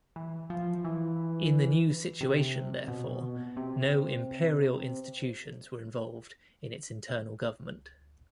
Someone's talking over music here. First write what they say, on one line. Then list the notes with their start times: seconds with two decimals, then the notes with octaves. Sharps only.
In the new situation therefore, no Imperial institutions were involved in its internal government.
0.16 E3
0.50 F3
0.85 E3
2.21 C3
2.88 B2
3.57 C3